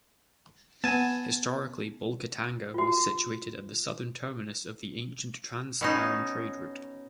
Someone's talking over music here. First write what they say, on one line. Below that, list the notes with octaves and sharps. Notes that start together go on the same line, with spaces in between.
Historically Bolgatanga was situated at the southern terminus of the ancient Trans-Saharan trade route.
B3 G#5 A5
F4 F#4
B2 C#4 D#4